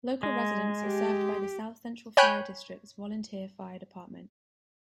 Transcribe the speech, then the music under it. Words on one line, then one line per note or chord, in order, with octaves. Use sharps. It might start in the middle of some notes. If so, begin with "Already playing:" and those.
Local residents are served by the South Central Fire District's volunteer fire department.
G#3
G4
C#5 G5 G#5 B5 F#6 G6